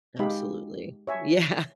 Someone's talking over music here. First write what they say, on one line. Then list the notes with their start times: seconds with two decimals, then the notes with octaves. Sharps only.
Absolutely. Yeah.
0.19 G#3 D#4 G4 F5 B5
1.07 C#5 E5 G#5